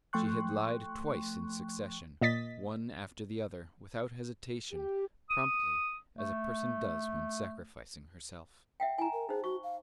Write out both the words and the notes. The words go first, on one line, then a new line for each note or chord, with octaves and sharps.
She had lied twice in succession, one after the other, without hesitation, promptly, as a person does when sacrificing herself.
F3 A3 G5 C6 C#6 F#6
A#2 D#5 A6 B6
G4
D#6
A3
E5 F#5 G5
E4 G#5 A#5
A#4
D#4 G#4 C5
F#4 C#6
F5